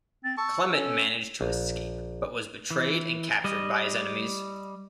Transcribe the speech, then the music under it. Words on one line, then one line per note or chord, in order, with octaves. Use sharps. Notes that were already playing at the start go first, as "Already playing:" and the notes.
Clement managed to escape, but was betrayed and captured by his enemies.
C4 A6
A5 C#6 E6
C#4 A4
A#1
E3
G3 D#5